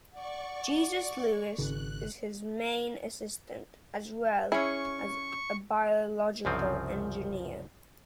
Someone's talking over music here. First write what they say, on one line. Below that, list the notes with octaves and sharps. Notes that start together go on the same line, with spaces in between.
Jesus Lewis is his main assistant as well as a biological engineer.
D5 F#5 C#6
G#1 C#3 C#4 F#6
C#4 E4 G#4 C#6
C2 F#2 C#3 F3 C4